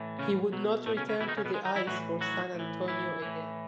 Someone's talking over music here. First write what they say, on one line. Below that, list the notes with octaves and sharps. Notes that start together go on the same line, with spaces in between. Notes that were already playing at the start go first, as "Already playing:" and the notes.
He would not return to the ice for San Antonio again.
Already playing: A2 E3
C#3 C#4
B2 F#3
A2 A3
C#3 C#4
C#3 C#4
B2 E3 E4
D#3 D#4
C#3 C#4
B2 B3
G#3
D#3 D#4
E3 E4
A2 E3 F#3 F#4
F#3 F#4
A2 E3
E3 E4
A2 E3